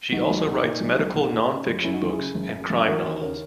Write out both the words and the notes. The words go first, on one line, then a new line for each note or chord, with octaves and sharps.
She also writes medical nonfiction books and crime novels.
B1 D#4 F#4
B1
A#2 D#4 F#4
A#2
B1
B1
A#2
A#2
C#3
F#1
F#2 C#4 E4
D#4 F#4
F#1
E4 G#4
C#3
F#1
F#2
F#1
E3 F#4 A#4
D#2
C#3 A#4 C#5